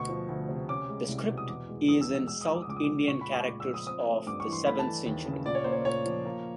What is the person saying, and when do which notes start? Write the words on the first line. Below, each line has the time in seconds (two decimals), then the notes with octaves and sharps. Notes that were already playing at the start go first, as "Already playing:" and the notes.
The script is in south Indian characters of the seventh century.
Already playing: D2 B2 C#6
0.09 F3
0.29 D2
0.49 C3
0.69 C#4 D6
0.89 G#3
1.09 C2
1.28 B2
1.37 D#6
1.48 E2 D6
1.69 G#3
1.88 E2 D#6
2.01 E6
2.07 B2
2.15 E6
2.28 G#3 E6
2.41 D#6
2.48 F3
2.55 D6
2.62 D#6
2.67 C#2 D6
2.77 D#6
2.84 C#3 D6
3.07 A#2 C#6
3.21 B5
3.27 G#3
3.33 C#6
3.47 A#2 D6
3.60 E6
3.67 F3
3.74 D#6
3.87 C4 D#6
4.07 A3
4.27 G2 D6
4.40 C#6
4.46 E3
4.53 C6
4.66 A3 B5
4.79 A5
4.86 E3
5.06 D#2
5.26 C#3
5.46 A#2 D5
5.55 C#5
5.64 A#3 C5
5.72 C#5
5.85 A#2 C#5
6.05 F3
6.25 A#3